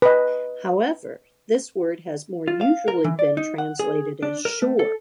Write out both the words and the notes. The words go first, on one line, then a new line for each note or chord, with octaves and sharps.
However, this word has more usually been translated as shore.
B4 D#5
F4
F5
A#4
E3
D5
D#4
F#5
G#4
D4
A#4
A3
A4